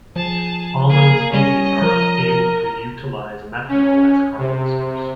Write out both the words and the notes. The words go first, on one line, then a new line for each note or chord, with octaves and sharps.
All known species are able to utilize methanol as carbon source.
F3 G#4 A5
A#3 G#4
G3 C#4 D#5
F3 A#4
A#4
C#4
C3